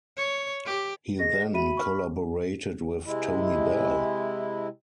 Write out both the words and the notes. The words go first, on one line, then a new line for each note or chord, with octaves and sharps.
He then collaborated with Tony Bell.
C#5
G4
G#4 D#5 A#6
F#4 E5 B5 D#7
C#6 F6
C3 G#3 E4